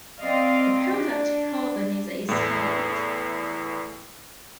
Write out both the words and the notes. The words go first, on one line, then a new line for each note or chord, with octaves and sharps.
The product carbon is a solid.
C4 D5 D#5 F5
D4
E2 A2